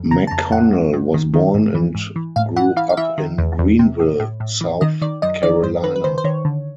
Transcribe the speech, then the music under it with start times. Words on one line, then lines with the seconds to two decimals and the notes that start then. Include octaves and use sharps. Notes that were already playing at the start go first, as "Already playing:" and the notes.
McConnell was born and grew up in Greenville, South Carolina.
Already playing: F2
0.11 C#3 A#5
0.27 A5
0.31 F2 A#5
0.51 F2 F#5
0.73 G2
0.93 G2
1.14 D#3
1.34 D#3
1.54 G#2
1.75 E3
1.95 G#2
2.16 E3
2.36 A2 F5
2.56 E3 F#5
2.76 E3 F5
2.89 F5
2.97 E3 E5
3.18 D#3
3.38 E2
3.59 E2
3.79 C3
4.00 A2
4.20 A2
4.40 A2
4.61 E3
4.81 D#3 D#5
5.02 D#3 D5
5.22 F#2 D#5
5.43 D#3 D5
5.63 G2 C5
5.84 D#3 B4
5.96 B4
6.04 D#3 C5
6.18 C5
6.24 D#3 C#5
6.45 D3